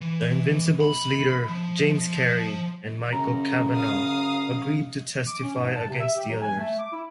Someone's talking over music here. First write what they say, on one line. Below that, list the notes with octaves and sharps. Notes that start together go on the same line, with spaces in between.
The Invincibles' leader, James Carey, and Michael Kavanagh agreed to testify against the others.
E3
B5
F3
F3
F#2 C#3 A#5
F5 D#6
D6
C#4
G#2
A5
C3
E5
G4
F#3
G#5
A3
D6
E4